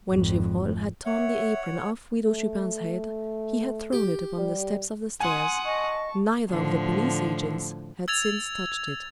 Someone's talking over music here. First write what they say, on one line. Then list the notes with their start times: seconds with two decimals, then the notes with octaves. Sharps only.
When Gevrol had torn the apron off Widow Chupin's head he had thrown it upon the steps of the stairs; neither of the police agents had since touched it.
0.10 G#1 F2
1.05 C#5 E5 F#5
2.23 A3
3.93 G4
4.38 G3
5.20 F#5 G#5 C6 D#6
5.65 D#5 A5 C#6
6.49 A2 D3 F3
8.08 E6 G#6 A6 F7